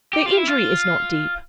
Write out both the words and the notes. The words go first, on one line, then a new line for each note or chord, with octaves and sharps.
The injury is not deep.
G4
F4
E4
F4